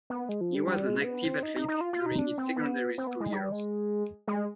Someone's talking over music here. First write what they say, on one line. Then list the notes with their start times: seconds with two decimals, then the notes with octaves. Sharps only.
He was an active athlete during his secondary school years.
0.10 B3
0.29 G#3
0.41 F3
0.55 G3
0.67 G3
0.86 G#3
1.04 B3
1.24 C4
1.43 D#4
1.56 D#4
1.68 D#4
1.81 F4
1.93 F4
2.06 D#4
2.18 D4
2.38 C4
2.56 B3
2.98 C4
3.07 B3
3.20 G#3
3.32 G3
3.52 G#3
4.28 G#3